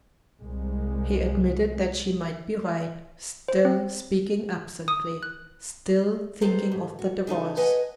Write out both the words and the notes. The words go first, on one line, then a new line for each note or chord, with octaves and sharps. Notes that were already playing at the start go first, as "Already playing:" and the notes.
He admitted that she might be right; still speaking absently, still thinking of the Divorce.
C2 G#3
C5
C4
D#6
F#6
D#3 C4 A4 B4 C5 A#5
G#2
F#4
C#3 D#4 A4 C#5
B4 C#5 D#5 F#5 G#5